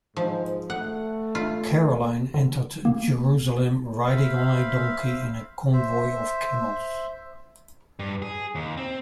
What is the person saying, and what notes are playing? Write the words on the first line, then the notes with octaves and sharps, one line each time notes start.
Caroline entered Jerusalem riding on a donkey in a convoy of camels.
G#2 F3
A3 F#5
F4
D3
A#3
C5 E5 F5 B5
C5 E5
G2
G#4
D#2
C4